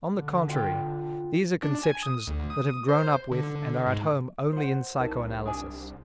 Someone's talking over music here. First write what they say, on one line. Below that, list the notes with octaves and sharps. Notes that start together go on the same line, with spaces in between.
On the contrary, these are conceptions that have grown up with and are at home only in psychoanalysis.
D3
F4 G5
D4
G#5
D#6
D2
D#6
C5
D3
G#2
C5 F#5
C2 D#4 A#4
D4 G#5 D#6